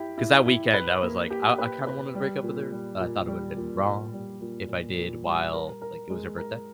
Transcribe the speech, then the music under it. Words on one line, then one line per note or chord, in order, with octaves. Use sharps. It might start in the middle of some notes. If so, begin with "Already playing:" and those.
'cause that weekend, I was like, I I kinda wanted to break up with her, but I thought it would have been wrong if I did while, like, it was her birthday,
Already playing: E4 G4
E4
E4
B4
A#3
G4
B4
B4
G3
A#2
G3
A#2
G3
A#2
A#2
G3
A#2
A#2
A#2
G3
A#4
A#4
G#3
A#4